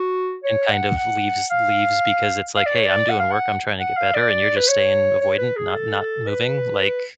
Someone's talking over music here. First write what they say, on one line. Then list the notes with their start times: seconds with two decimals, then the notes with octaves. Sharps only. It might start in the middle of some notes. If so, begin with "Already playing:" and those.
and, kind of leaves leaves because, it's like, "Hey, I'm doing work, I'm trying to get better, and you're just staying avoidant not not moving, like"
Already playing: F#4
0.44 C#5
0.70 F#5
0.97 F#5
1.51 F5
2.56 F5
2.66 D5
2.76 C#5
2.85 D5
3.09 F#5
3.19 F5
3.31 F#5
3.80 F#5
3.97 F5
4.14 D5
4.57 B4
4.68 C#5
5.21 C#5
5.38 B4
5.56 G#4
5.74 A4
6.00 A4
6.27 B4
6.79 B4